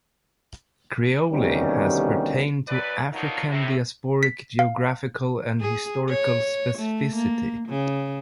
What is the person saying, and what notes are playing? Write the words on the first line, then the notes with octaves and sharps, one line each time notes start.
Creole has pertained to "African-diasporic geographical and historical specificity".
D2 C3 D#3 G3 B3 C#4
F#2 B4 D5
F#3 A#3 B3 D4 D#4 F4
A2 C3
B6
F5
G#4
C#5
A3
A#3
C#3